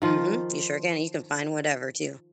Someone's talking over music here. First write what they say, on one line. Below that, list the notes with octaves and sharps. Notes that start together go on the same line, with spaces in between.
Mhm, you sure can, you can find whatever too.
D#3 F3 F4